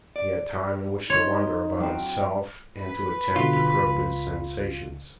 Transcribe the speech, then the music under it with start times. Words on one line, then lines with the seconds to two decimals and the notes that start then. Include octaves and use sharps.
He had time in which to wonder about himself and to attempt to probe his sensations.
0.16 D5
1.10 D#4 C#5 C6
1.80 F#3 C4 G5
2.78 B4
3.36 B2 D3 F#3 F4
3.83 C#2